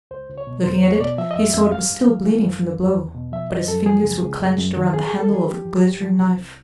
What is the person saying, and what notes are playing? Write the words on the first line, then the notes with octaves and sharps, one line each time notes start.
Looking at it, he saw it was still bleeding from the blow, but his fingers were clenched around the handle of a glittering knife.
C#2 C5
C#2
C#5
B2
E2 C5
E2 C#5
C#5
B2 D5
F3 E5
D#5
F2 E5
F2 E5
G2 F5
G2
E3
E3
F#2
F#2
E2
E2
B2
F3 E5
F#2 D#5
F#2 A4
F3 G#4
C#2
C#2
F#2
F#2
D#3
G2 G#4
G2 G#4
A4
E3 G#4
F3 G4
G2
G2
F3
C2
C2